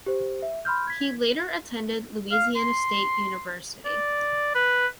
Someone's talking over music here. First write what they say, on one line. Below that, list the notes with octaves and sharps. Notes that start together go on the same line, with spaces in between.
He later attended Louisiana State University.
G4 C5
E5
B5 C6 F6 G6
G#6 B6
F5
C6
D5
B4